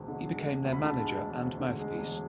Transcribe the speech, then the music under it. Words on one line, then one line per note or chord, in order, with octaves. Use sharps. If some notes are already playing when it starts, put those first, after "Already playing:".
He became their manager and mouthpiece.
Already playing: E1 D2 G#3
D3
G#3
E1
D2
B5
D3 A5
G#3
E1
D2
D3
G#3
E1